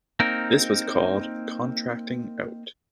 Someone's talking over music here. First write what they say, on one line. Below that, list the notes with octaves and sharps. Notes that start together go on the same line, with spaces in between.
This was called "contracting out".
A#3 C4 D#4 A#4